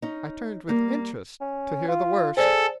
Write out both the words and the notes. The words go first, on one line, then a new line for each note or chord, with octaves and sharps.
I turned with interest to hear the worst.
C#4 D#4
G3 A#3
C#4
F4
G#4 A4 C5 D5